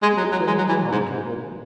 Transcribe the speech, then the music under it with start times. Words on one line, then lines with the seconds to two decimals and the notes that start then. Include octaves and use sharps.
But the claim is an arguable one.
0.02 G#3
0.17 F#3
0.32 F#3
0.47 G#3
0.58 F#3
0.69 E3
0.92 G#2